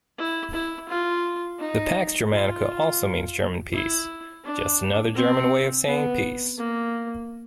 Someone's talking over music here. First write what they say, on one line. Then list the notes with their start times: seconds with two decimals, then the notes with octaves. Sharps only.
The "Pax Germanica" also means 'German peace', just another German way of saying peace.
0.18 E4
0.53 E4
0.88 F4
1.59 D#4
2.31 F4
3.73 E4
4.44 D4
5.15 C4
5.86 B3
6.58 A#3